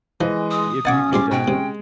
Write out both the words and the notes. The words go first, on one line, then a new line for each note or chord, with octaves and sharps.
if you could, uh,
E3 F3 G#3 D#5
D#6
B1 C#4 D#5 F#5 D6 G#6 A6
G#2 G3 C6 D6
B2 G5
C3 G#3 C#4